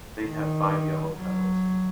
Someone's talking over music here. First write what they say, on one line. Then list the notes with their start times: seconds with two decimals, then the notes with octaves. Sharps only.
They have five yellow petals.
0.25 D#3
1.09 F#3